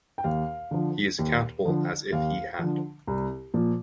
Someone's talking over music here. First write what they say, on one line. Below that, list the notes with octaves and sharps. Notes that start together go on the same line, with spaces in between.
He is accountable as if he had.
G5
D#2 F5
D3 F3
D#2
D3 F3
D#2 F5
D3 F3
C2
A#2 F3